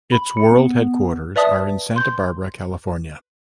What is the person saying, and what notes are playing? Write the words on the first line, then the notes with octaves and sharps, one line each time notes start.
Its world headquarters are in Santa Barbara, California.
B5
C#7
B3
B4 D5 E5 A5 D#6
C6 G6